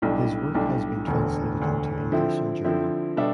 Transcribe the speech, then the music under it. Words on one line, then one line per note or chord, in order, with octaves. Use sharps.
His work has been translated into English and German.
B1 A2 G3 D4
B1 A2 G3 D4
E1 D2 D3
E1 D2 D3
D3 F3 C4 E4
D3 F3 C4 E4
B2 G3 D4 A4 E5